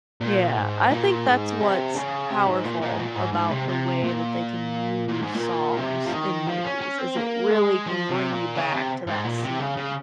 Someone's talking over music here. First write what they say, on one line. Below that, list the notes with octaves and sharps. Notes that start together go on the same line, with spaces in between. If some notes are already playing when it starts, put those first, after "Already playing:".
yeah. I think that's what's powerful about the way that they can use songs in movies, is it really can bring you back to that scene.
A#2
G#2
A#2
G#2
C3
C#3
C3
G#2
A#2
A#2
G#2
A#2
G#2
G#2
C3
C3
A#2
A#2
G#2
A#2
C3
F3
D#3
F3
C#4
C#4
C4
A#3
G#3
F3
C3
A#2
C#3
C3
G#2
A#2
C3
C#3
C#3